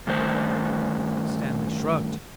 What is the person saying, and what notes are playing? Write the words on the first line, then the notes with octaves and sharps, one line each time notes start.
Stanley shrugged.
G2 D#3 A3 C5